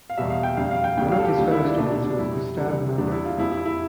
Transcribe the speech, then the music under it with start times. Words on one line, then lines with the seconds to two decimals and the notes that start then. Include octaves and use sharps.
One of his fellow students was Gustav Mahler.
0.10 F5
0.18 E2 B2 G3 E5
0.30 F5
0.43 G5
0.57 F2 D3 G3 F5
0.71 F5
0.84 G5
0.98 D2 C3 G3 G5
1.12 F5
1.18 A4
1.25 G4
1.37 D2 D3 G3 F4
1.51 E4
1.65 D4
1.77 C2 B2 A3 D4
1.92 D4
2.04 D4
2.18 F2 C3 G3 E4
2.58 C2 C3 E3 G3
2.98 E2 D3 G3 D4
3.12 E4
3.26 F4
3.38 F2 C3 F3 E4
3.52 E4
3.66 E4